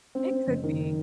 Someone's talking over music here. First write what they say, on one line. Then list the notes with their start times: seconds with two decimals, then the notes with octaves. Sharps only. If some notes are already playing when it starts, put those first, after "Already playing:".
It could be.
0.15 C4
0.30 C4
0.47 F#1
0.63 D#3